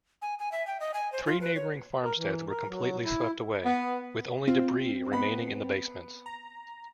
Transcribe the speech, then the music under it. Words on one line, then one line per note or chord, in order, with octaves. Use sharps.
Three neighboring farmsteads were completely swept away, with only debris remaining in the basements.
G#5
G#5
E5
G5
D#5
G#5
C5
F4
B4
C#5
A#4
E3
A#4
F#3
E4
B3
C4 F4
B3 B5
A#5